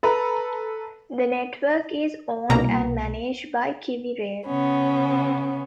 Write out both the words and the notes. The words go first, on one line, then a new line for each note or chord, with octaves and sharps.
The network is owned and managed by KiwiRail.
A4 B4 A#5
C2 B2 A#3 A#5
C#3 B3 C#4